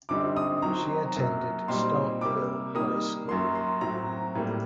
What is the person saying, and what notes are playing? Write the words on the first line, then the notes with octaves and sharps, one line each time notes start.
She attended Starkville High School.
F#2 D3 G3 C4 D#4 D6
D#6
D#3 F#3 C4 A#5
F#2 F#3 A#3
A#2 G3 C4 D#4 C6
C3 G3 A#3 D6
D#3 G3 A#3 D#6
F#2 F#3 A#3 C6
C6
A2 F#3 C4 A#5
A2 G3 A#3